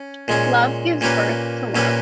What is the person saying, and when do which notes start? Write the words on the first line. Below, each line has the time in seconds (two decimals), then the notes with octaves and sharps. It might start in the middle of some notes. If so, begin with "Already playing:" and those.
Love gives birth to love.
Already playing: C#4
0.28 A#2 G#3 C#4
1.01 A#2 A#3 C#4 G4 B4
1.75 A#2 A#3 C#4 G4 B4